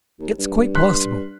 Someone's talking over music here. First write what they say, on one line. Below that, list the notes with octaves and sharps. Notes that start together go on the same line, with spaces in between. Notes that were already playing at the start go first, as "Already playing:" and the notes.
"It's quite possible."
D#2
G2
C6 F#6 B6